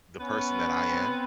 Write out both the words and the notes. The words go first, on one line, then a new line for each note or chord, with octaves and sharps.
the person that I am
B3 C#4
C4